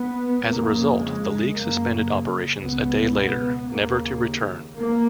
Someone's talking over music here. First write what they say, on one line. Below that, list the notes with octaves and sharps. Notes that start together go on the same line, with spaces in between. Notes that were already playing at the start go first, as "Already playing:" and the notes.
As a result, the league suspended operations a day later, never to return.
Already playing: B3
F2 C#3 A#3
G#3
F#2 C#3 A#3
C#2 B2 B3
B3
D#2 C#3 A#3
A#3